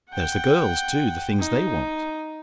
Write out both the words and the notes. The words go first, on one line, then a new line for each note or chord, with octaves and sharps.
There's the girls, too--the things they want!
F#5 G5
D#4